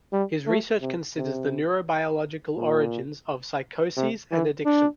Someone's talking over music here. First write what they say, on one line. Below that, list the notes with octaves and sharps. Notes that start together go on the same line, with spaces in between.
His research considers the neurobiological origins of psychoses and addiction.
G3
A3
C3
C3
A#2
C3
E3
D4